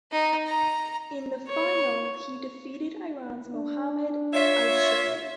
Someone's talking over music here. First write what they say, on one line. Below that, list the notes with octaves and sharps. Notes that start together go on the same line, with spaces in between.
In the final he defeated Iran's Mohamed Asheri.
D#4
A#5
C#5
D4
F4 C#5 E5